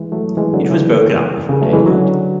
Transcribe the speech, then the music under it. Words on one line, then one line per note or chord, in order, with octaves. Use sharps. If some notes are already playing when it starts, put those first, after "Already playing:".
It was broken up before daylight.
Already playing: E3 G#3
F#3 A3
E3 G#3
D3 F#3
C#3 E3
C#3
F#3 A3
E3 G#3
D3 F#3